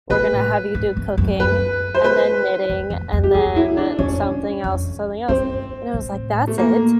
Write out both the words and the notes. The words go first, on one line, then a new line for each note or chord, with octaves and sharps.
we're gonna have you do cooking and then knitting and then something else and something else." And I was like, "That's it?
A2 B4
G#2
G2
F#2
B4
C5
B4
F2
F2
F2
G4
F2 G#4
E4
D4
F2 C#4
F2
G2 C4
A2
A3
A#3